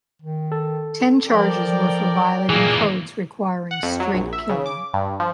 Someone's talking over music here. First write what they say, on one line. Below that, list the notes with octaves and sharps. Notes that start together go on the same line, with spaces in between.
Ten charges were for violating codes requiring straight killing.
D#3
A4
F3 A#4 D5 G5
A#2 E3 A#3 G#4
F#5
F2
F#3
A#1
E5
C#3
D6
G2
F3